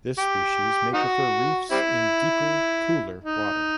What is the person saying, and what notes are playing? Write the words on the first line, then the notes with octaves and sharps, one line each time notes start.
This species may prefer reefs in deeper cooler water.
G4
D#4 F#4
G3 C4 E4
D#4